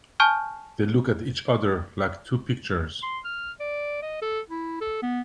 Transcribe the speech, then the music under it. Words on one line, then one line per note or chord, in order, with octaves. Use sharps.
They look at each other, like two pictures.
G#5 A5 C#6 F6 G6
C6
F6
D5
D#5
A4
E4
A4
B3